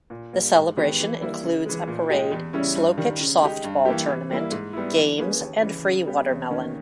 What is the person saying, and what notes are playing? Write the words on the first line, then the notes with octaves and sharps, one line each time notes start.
The celebration includes a parade, slow pitch softball tournament, games and free watermelon.
A#2
G3 A#3
G#2
D#3 G#3 B3 G4
E3
G3 A#3 E4
C#3
E3 G#3
A#2
G#3 D#4 G4
E2
C#3 G3 C#4 E4
G2
D#3 G3
C#3
G#3 D#4 G4
G2
E3 A#3 E4 G4
E3
G3 A#3 E4
G#2
G3 B3 E4
E3
A#3 C#4 G#4 B4
D#2
C#3 E3
C#3
G3 B3 G4
E2
D#3 A#3 C#4